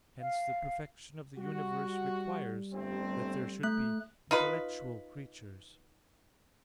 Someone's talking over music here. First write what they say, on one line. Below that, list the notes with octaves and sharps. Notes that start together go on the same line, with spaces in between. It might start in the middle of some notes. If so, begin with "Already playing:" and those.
Hence the perfection of the universe requires that there should be intellectual creatures.
F5
G3 F#4
G1 A3 C4
A3 F#6
D#4 F4 B4